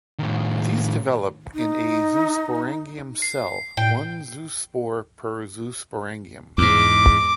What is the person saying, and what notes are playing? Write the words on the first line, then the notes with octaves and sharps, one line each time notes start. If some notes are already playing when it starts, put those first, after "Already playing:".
These develop in a zoosporangium cell, one zoospore per zoosporangium.
A2 D#3
D#4
C7
A2 G5
E2 G#2 D6